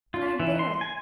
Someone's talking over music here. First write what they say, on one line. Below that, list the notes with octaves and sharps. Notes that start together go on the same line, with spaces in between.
And I bear it!
F4
E3
C6
G#5